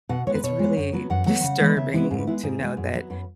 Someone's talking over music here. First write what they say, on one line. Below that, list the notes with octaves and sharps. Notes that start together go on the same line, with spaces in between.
it's really disturbing to know that
B2 F#5
G#3 B3 C#5
B4
B2 C#5
G#3 B3
F#2
F#3 B3
F#2 F#5
F#3 B3 F#5
C#3
E3 G#3 B3
C#3 E5
E3 G#3 B3 E4
G#2 G#4
B4
G#3 B3 E4
G#2 G#4
G#3 B3
F#2
F#3 B3
F#2 B4